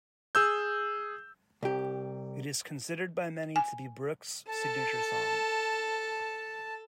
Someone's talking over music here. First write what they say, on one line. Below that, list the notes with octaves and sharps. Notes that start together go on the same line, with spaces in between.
It is considered by many to be Brooks' signature song.
G#4 E6 G6
C2 G4
G#5
A4 A5